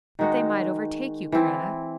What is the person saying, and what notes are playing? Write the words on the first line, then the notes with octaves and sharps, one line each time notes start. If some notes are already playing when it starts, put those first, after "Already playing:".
"But they might overtake you, Kreta."
D#3 G#3 D#4 F#4
E3 C4 E4